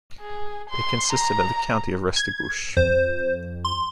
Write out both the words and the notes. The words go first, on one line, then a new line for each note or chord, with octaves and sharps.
It consisted of the County of Restigouche.
G#4
C6
A#5
G#6
F2 C5
C6